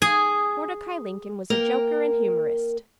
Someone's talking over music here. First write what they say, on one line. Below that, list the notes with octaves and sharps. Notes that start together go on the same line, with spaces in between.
Mordecai Lincoln was a joker and humorist.
G#4 G#5
A#3 A#4 G5